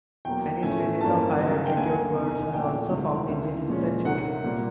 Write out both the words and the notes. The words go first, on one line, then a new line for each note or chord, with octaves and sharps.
Many species of high altitude birds are also found in this sanctuary.
E2 B2 F#3 A#3 G5
A2 F3 A3 C#4 G#5
G2 E3 G3 A#3 C#4 A5
C#2 C#3 F#3 B3
G5
D2 D3 F#3 A#3 G#5
E2 C3 D#3
A#2 F3 A3 C#4 G5
D2 C3 E3 G#3
D2 C#3 E3
A#2 F3 G#3 C#4
C2 C3 D#3 F#5
C2 A#2 G3 A#3